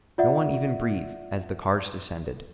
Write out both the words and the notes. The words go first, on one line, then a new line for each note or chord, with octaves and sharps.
No one even breathed as the cards descended.
F4 D5 E5 F#5